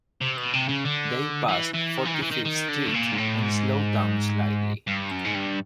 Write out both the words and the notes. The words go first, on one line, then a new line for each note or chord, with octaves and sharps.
They passed Forty-fifth Street and slowed down slightly.
C3
B2
C3
C#3
D3
E3
E3
D#3
E3
D#3
E3
D#3
D#3
D3
A2
A#2
G#2
A2
G#2
G2
F#2
G#2
G2